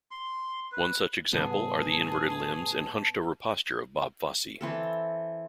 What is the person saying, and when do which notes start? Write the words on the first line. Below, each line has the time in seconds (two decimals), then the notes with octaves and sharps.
One such example are the inverted limbs and hunched-over posture of Bob Fosse.
0.11 C6
0.72 B4
1.33 A2 C#3 G3 B3 G#4 A5
4.61 E3 C4 A4